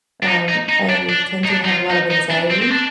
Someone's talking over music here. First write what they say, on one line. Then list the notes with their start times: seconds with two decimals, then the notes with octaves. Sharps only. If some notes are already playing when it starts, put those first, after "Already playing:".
Um, I tend to have a lot of anxiety
0.23 D4
0.28 D#4
0.49 D#4
0.69 D#4
0.89 D4
1.09 D4
1.45 D#4
1.50 D4
1.65 D#4
1.70 F4
1.90 D#4
2.11 D#4
2.31 D4
2.51 C4
2.62 C4
2.72 D4